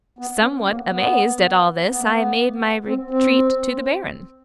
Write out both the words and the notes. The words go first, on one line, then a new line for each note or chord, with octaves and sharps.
Somewhat amazed at all this, I made my retreat to the Baron.
B3
C#4
A#3
B3
B3
B3
A#3
B3
C4
C4